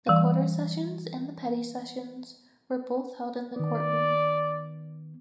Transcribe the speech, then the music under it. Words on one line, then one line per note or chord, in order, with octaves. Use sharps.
The quarter sessions and the petty sessions were both held in the courtroom.
E3 G3 F5
D#3 B3 D5